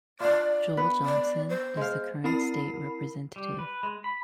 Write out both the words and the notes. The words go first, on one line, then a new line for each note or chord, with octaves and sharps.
Joel Johnson is the current State Representative.
D4 F4 D5
B3 B4
D5
C5
G#3 F5
C4 E4 A#4 B5 C7
G3
B4
G#3
B5